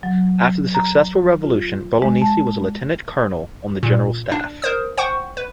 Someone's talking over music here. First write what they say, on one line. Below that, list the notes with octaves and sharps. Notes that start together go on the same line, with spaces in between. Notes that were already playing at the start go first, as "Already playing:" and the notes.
After the successful revolution, Bolognesi was a Lieutenant Colonel on the General Staff.
F#3
A#5
F4
G#3
A5
A#2
D4
A#4 C5 D#6
C5 F#5 G5 C#6
B4